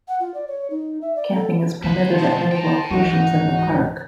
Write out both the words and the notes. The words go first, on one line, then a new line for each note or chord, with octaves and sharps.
Camping is permitted at many locations in the park.
F#5
F4
D5
C#5
D#4
E5
D5
A4
D3 B4 C5
G#2 B2 C5 A5
G5 A#5
C#2 G#2 E3 D#4 F#4